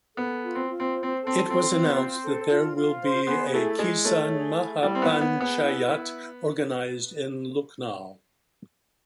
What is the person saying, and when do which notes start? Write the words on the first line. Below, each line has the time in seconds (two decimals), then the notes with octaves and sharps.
It was announced that there will be a Kisan Mahapanchayat organised in Lucknow.
0.16 B3 A4
0.43 F4
0.55 C4
0.69 F4
0.80 C4
0.94 C5
1.03 C4
1.21 A4
1.27 C4
1.46 C4 F4
1.71 C4 F4
1.84 B3
1.96 C4 C5
2.23 A4
2.50 F4
2.76 F4
3.01 C5
3.27 B3 G#4
3.53 A3 E4
3.79 G#3 E4
4.05 A3 C#5
4.31 G#4
4.57 E4
4.82 G3 E4
4.95 C4
5.02 B3
5.08 C#5
5.21 B3
5.34 G#4
5.40 B3
5.60 E4
5.85 E4